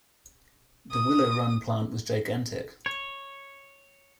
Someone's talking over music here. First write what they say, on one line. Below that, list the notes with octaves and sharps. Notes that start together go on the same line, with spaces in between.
The Willow Run plant was gigantic.
D#6
C#5